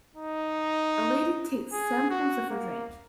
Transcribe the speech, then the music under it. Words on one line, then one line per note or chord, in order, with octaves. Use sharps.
A lady takes samples of a drink.
D#4
G#4
F#4
A#3